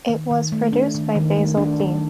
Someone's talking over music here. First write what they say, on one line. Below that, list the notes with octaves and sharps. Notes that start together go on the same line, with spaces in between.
It was produced by Basil Dean.
D#3
D#3
A3
D4
D#3
D#3
A3
D4
D#3